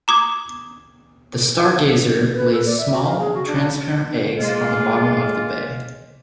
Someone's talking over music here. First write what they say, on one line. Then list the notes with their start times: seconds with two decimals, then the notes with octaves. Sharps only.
The stargazer lays small, transparent eggs on the bottom of the bay.
0.08 A#5 D6 D#6 G#6
2.35 B4
2.53 A4
2.66 D5
2.78 E5
2.92 F#4
3.04 F5
3.19 G#4
3.34 F#4
3.47 D4
4.38 G#3 A#3 F4